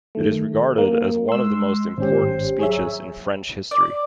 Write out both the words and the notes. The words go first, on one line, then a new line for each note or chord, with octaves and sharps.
It is regarded as one of the most important speeches in French history.
D#3 A3
A#3
G#3 C6 E6
G#1 C#4 G4 C5
F#3 G#4 C#5 E5
D5